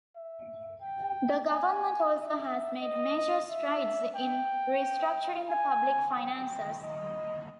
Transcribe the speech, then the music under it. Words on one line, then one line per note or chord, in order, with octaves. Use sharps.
The government also has made major strides in restructuring the public finances.
E5
G5
G#5
E5
D#5
E5
G5
G#5
G5
D#5